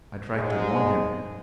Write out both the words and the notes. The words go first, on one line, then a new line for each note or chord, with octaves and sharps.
"I tried to warn him."
G#2 G#3